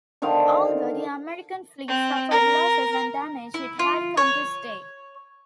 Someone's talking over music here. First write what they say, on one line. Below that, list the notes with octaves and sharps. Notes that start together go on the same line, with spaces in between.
Although the American fleet suffered losses and damage, it had come to stay.
D3 D#3 C5 F5
C4
A#4
E4
F4
C#5